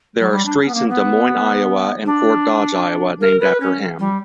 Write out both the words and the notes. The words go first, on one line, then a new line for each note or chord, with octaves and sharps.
There are streets in Des Moines, Iowa and Fort Dodge, Iowa named after him.
F#3
G3
D4
C#4
B3
A#3
B3
D4
A#4
B4
C#4
G3